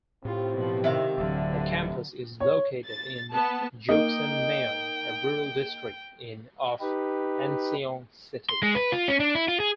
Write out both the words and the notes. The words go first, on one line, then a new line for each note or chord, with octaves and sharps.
The campus is located in Juksan-myeon, a rural district of Anseong city.
A2 C4 F4 G4
B2 F3
C3 D#3 E5 F5
D1 D3 F#3
C#5
A6
B3 A5
A#3 D#4 D#5 G5
D#4 G4 B4
C6
G#3
B4
F4
C#4
D4
E4
F4
G#4